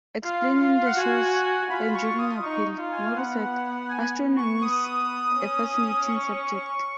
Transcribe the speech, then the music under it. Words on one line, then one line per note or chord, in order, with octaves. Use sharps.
Explaining the show's enduring appeal, Moore said: Astronomy's a fascinating subject.
F4 F5
F4
F#5
F#4 G#5
F4 B5
C#6
D#6
D#4 C#6
F4
G#5
B3 F#5
G#5
C#6
B3 D#6
C#4
C#6